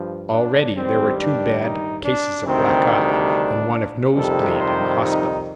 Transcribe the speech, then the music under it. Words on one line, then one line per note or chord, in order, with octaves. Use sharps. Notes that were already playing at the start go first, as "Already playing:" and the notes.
Already there were two bad cases of black eye, and one of nosebleed, in the hospital.
Already playing: G2 F3
D4
G2 D#3 G3 C4
D4
D#4
D4
D2 C3 D#3 G3 C4
D4
F2 C3 D#3 G3 A4
C5
D#4